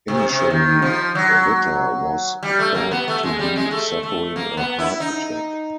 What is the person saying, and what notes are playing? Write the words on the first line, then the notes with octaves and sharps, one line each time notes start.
Initially, Ritter was thought to be suffering a heart attack.
C3
C3
D#3
F3
F#3
G3
A3
A#3
B3
A3
G#3
G3
G#3
A3
A3
A#3
B3
E4
D#4